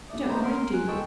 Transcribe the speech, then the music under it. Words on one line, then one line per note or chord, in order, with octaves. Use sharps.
You don't mind, do you?
A3 D5 D#6
B3 D#4 C5 A#5 B5
A#4 C6
G#5 F#6
G#3 A4 D#5 G5 A5 C#6